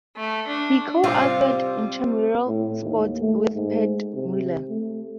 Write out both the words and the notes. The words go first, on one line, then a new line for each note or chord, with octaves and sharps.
He co-authored "Intramural Sports" with Pat Mueller.
A3
D4
C3 G3 F4
A2
D#2
A3
G#2
C3
A3